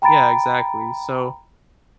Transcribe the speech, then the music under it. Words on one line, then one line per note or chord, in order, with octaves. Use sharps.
yeah, exactly. So,
G5 A#5 B5 A6 D7